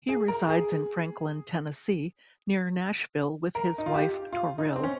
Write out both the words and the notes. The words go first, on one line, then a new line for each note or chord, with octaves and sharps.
He resides in Franklin, Tennessee, near Nashville, with his wife Toril.
G#4
A#4
G#4
A#4
D#4
F4
G4
F4
D#4
C4
C#4